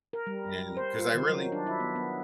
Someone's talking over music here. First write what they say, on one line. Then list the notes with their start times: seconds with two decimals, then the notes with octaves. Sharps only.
and 'cause I really
0.13 A#4
0.27 G3
0.77 C5
0.98 F4
1.15 D#3
1.29 F#3
1.52 D4
1.67 E4
1.80 B3
1.96 B3